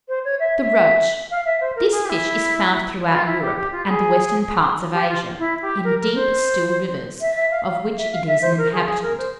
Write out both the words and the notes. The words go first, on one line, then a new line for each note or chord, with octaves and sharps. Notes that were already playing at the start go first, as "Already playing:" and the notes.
THE ROACH.--This fish is found throughout Europe, and the western parts of Asia, in deep still rivers, of which it is an inhabitant.
C5
C#5
E5
E5
F5
E5
C5
A#4
G#4
G4
E4
F4
E4
G4
G4
F4
G#4
G4
F4
E4
G4
A#4
A#4
C5
E5
E5
F5
F5
E5
F5
E5
C5
A#4
G#4
G#4
A#4
C5